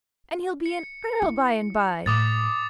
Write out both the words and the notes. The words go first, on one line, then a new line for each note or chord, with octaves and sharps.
And he'll be an earl by-and-by.
C#7
E4
A2 D6 D#6 A6